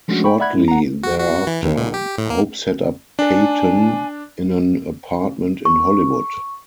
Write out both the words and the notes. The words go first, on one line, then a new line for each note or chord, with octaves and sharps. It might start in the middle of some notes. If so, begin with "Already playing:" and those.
Shortly thereafter, Hope set up Payton in an apartment in Hollywood.
F3 G#3 A3 C#4 D4 F#4
G5 B5 C#6
D5 E5 F#5 B5 F#6 G#6
F#2 G#3 E4
F#5 A#5
F#4
F#4
E3
D#2
A#2
G4
A2
A#3
D4 G#5
C#6